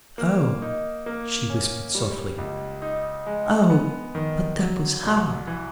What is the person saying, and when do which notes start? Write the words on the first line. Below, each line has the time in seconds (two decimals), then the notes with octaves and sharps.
"Oh!" she whispered softly; "oh! but that was hard."
0.18 A#3
0.62 D#4
1.06 A#3
1.50 C#4
1.95 G3
2.38 C#2
2.82 D#4
3.26 G#3
3.70 B3
4.15 D#3
4.59 F#3
5.03 C2
5.47 E3